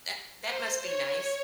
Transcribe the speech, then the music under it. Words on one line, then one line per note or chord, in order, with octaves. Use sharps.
That that must be nice.
C5
C#5